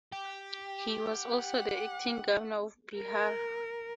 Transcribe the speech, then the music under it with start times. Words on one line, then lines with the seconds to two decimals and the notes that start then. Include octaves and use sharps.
He was also the acting Governor of Bihar.
0.12 G4
1.18 F#5
2.97 A#4